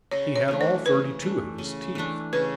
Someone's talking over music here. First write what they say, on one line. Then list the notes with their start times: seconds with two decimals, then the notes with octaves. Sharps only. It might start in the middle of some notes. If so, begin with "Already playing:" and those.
He had all thirty-two of his teeth.
0.11 C#3 C#5
0.36 C#5
0.48 E3 A3 D4
0.61 C5
0.85 C#3 B4
1.21 E3 A3 D4
1.58 C#3
1.95 E3 A3 D4
2.33 C#3 B4